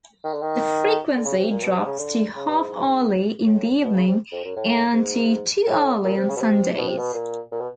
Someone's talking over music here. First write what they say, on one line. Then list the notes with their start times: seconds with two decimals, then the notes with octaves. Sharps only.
The frequency drops to half-hourly in the evening and to two-hourly on Sundays.
0.24 D#3
0.33 D3
0.41 D#3
1.16 D3
1.25 C#3
1.37 C3
1.50 A#2
1.62 B2
1.73 C3
1.86 C#3
1.99 D3
2.35 C#3
2.48 G2
2.60 G#2
3.45 A2
3.83 B2
3.95 C#3
4.07 C3
4.32 F2
4.44 F#2
4.56 A2
4.93 G#2
5.67 A2
6.04 A#2
6.17 C3
6.29 C#3
6.36 B2
6.41 C3
6.77 B2
6.88 C3
6.98 B2
7.14 A#2
7.52 A#2
7.60 B2